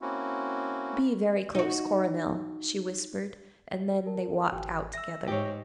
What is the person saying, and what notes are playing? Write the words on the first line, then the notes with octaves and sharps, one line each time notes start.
"Be very close, Coronel," she whispered, and then they walked out together.
A#3 C4 C#4 E4 F#4
D#4 F#4
A#4 A5
G#1 G5 G#5
E5 E6 A#6
G#2 G4 C#5